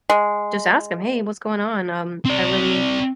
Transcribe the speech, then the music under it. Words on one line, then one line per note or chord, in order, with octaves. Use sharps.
just ask him, "Hey, what's going on? Um, I really
G#3
C4 D5